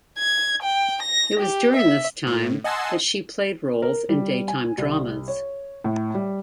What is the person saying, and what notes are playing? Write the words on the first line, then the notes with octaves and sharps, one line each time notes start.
It was during this time that she played roles in daytime dramas.
G#6
G5
A#6
G4
E5
A2
D#5 F#5 G#5 A5 C6 E6
A#4
G3
G#5
C2
C#5
A2
G3